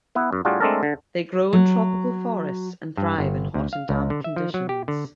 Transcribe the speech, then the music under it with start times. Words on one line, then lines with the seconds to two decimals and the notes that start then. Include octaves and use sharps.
They grow in tropical forests and thrive in hot and damp conditions.
0.15 B3 E4 B4
0.33 F#2
0.45 A2 G3 D4 F4 F#4 G#4
0.60 G#3 A3 C4 D4 A4 A#4
0.83 D3
1.53 F#3
2.97 G2
3.18 G1
3.54 D2
3.73 F5
3.89 C#2
4.10 D3
4.24 E5
4.36 F3
4.54 F#3
4.69 G4
4.88 D3